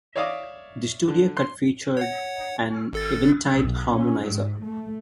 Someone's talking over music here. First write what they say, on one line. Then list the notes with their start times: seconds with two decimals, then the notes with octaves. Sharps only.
The studio cut featured an Eventide Harmonizer.
0.16 C#5 D5 E5 F5 D6 D#6
1.08 D3
1.37 C6
1.97 C#5 F#5
2.93 G#1 A4 A6
3.57 B1
3.94 C#4
4.27 G#2
4.65 A3